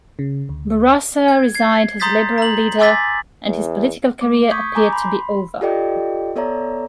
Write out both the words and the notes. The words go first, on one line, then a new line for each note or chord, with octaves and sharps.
Bourassa resigned as Liberal leader, and his political career appeared to be over.
C#3
D2
G#6
G#6 C7
A#5 C6 D#6 G6 A6 B6
A#5 F#7
G#5 C6 D6 E6 A6 B6
E2
A3 D6
C#6 D#6 G6 G#6 B6
G#5 A#5 D6 G6
B5 C6
F4 G4 A4 D5 D#5 G5
B3 A4 C#5 D5 E5 A#5